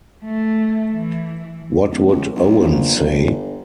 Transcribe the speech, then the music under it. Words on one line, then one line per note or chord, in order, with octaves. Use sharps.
What would Owen say?
A3
E3
D1
C#2
B1
A#1
G1